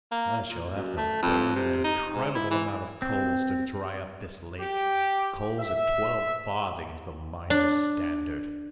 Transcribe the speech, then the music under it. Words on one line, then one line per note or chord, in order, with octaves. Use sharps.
I shall have to burn an incredible amount of coals to dry up this lake--coals at twelve farthings the miners' standard!
A#3
A#2
F#2
A3
F2
C3
D#4
G#2
E4
E3
C4
G4
E5
D4